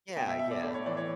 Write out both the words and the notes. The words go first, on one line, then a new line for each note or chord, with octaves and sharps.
Yeah. Yeah.
B2 G5
E5
E5
D5
A2 D5
C#5
E3 D5
C#5